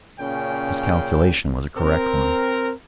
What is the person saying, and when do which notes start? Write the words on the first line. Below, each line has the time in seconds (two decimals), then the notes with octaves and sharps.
His calculation was a correct one.
0.20 A#2 C#3 C#4 G5
1.78 C4 A#4